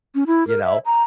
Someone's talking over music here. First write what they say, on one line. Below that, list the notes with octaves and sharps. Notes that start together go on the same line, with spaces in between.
you know?
C#4
E4
A#4
E5
A#5